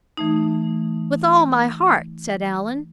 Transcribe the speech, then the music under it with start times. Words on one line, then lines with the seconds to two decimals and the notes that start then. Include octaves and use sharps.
"With all my heart," said Allan.
0.17 E3 A3 D#4